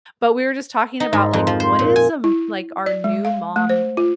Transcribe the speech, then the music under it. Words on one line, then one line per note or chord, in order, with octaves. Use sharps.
But we were just talking about, like, what is, um, like, our new mom,
D#4
G#2
F2
F3
C5
A#2
G#5
E4
D5
G#3
F5
A3
C5
F4